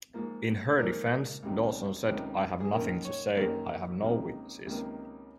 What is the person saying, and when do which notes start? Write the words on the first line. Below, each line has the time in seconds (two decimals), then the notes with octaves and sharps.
In her defence, Dawson said I have nothing to say, I have no witnesses.
0.14 G#2 F3 A#3
0.78 G#2 F3 A#3 A#4
1.43 C#2 C3 D#3
2.07 C#2 C3 D#3
2.60 G#4
2.72 F#2 D#3 A#3 A#4
3.05 C#5
3.37 F#2 D#3 A#3 A#4
4.01 C#2 C3 D#3 A#3
4.66 C#2 C3 D#3 A#3